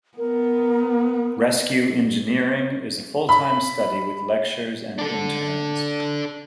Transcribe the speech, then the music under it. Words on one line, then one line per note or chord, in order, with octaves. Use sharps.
Rescue Engineering is a full-time study with lectures and interns.
B3 A#4
B5
D4 A4